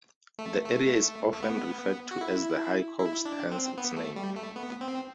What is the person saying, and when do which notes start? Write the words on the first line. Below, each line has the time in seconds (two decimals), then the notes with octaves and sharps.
The area is often referred to as The High Coast, hence its name.
0.39 A3
0.65 A3
1.33 A3
1.43 B3
2.11 F#4
2.21 E4
2.98 E4
3.25 D4
3.51 C4
3.77 B3
3.96 A3
4.16 G3
4.36 A3
4.56 B3
4.81 C4